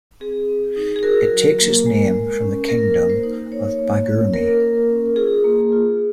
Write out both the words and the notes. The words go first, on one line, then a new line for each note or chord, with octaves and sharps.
It takes its name from the kingdom of Baguirmi.
C4 G#4
C4
D#4
G#4
F#4 A#4
F#3
A#3
G#3
G#3
C#4
A#3 A#4
A#3
C5
D#4
A#3 C#5
A#3
C#4
A#3 A#4
A#3
C#4
F4 G#4
A#3
F4